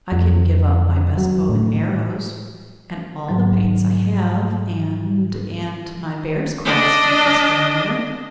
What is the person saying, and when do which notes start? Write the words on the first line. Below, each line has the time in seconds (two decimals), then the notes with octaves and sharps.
"I can give up my best bow and arrows, and all the paints I have, and--and my bear's claws necklace, grandmother!"
0.12 F2
1.18 F#3
1.49 A2
3.29 G#2 F#3
6.65 D4 D#5